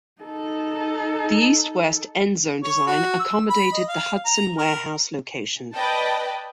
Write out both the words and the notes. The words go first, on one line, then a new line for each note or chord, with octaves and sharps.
The east-west end zone design accommodated the Hudson warehouse location.
D#4 A4
C#5
F#4
E6
B5
D#5
F5
A#5
A#4
B4 D5 D#5 G5 A5